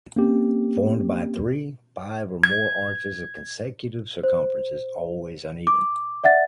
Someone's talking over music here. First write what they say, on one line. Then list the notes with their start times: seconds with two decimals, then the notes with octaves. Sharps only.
Formed by three, five or more arches of consecutive circumferences, always uneven.
0.16 A#3 C4 C#4 G4
2.44 G#6
4.23 C5
5.67 D6
6.24 D5 E5 F#5 A6